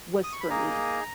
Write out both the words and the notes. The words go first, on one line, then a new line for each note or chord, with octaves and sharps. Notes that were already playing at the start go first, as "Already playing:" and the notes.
was for me
D#6
C#6
B5
A#3 D#4 G#4 A#5